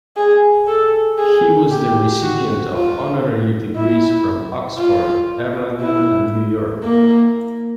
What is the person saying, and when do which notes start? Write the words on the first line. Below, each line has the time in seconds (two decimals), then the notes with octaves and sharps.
He was the recipient of honorary degrees from Oxford, Erlangen, and New York.
0.17 G#4
0.67 A4
1.18 G#4
1.71 G4
2.22 F#4
2.73 F4
3.76 E4
4.78 F4
5.81 E4
6.84 A#3